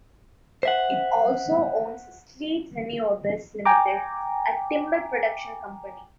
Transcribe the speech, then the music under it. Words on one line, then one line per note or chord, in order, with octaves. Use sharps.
It also owns Sleat Renewables Limited, a timber production company.
C5 E5 F#5
G5 G#5 A#5 D6